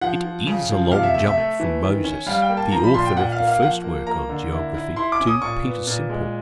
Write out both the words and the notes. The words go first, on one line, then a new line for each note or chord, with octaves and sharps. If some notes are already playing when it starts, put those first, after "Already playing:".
It is a long jump from Moses, the author of the first work on Geography, to Peter Simple.
F3 F#5
F3
C#3
F3
C3 F5
E5
A3 E5
E5
A3
E3
D#3
C#4
G3 F5
G5
A#3
A5
F3 A#5
B5
A#2 C6
G5
A#2 F#5
F5
A#3
F5
F3 F#5
A#3
A#3 A#5
D3
E4
E4
E4 C6
D6
C#4
D#6
A#2 C#6
B3
A#2
G#3